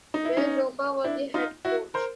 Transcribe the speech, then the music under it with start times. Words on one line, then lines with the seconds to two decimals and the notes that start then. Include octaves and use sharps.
Bill Roper was the head coach.
0.14 D#4
0.25 E4
0.37 C#4 D#4
1.04 D4 E4
1.34 D#4 F4
1.65 E4 F#4
1.94 A#4 C5